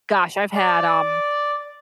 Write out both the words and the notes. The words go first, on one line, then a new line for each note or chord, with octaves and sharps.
gosh, I've had, um
D5